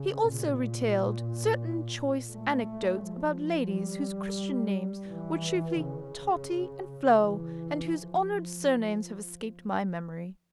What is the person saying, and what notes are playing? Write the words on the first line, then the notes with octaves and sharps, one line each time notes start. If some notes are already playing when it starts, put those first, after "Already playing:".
He also retailed certain choice anecdotes about ladies whose Christian names were chiefly Tottie and Flo, and whose honoured surnames have escaped my memory.
Already playing: C#3
A#2
A3
F3
G3
E3
C#3
E3
F3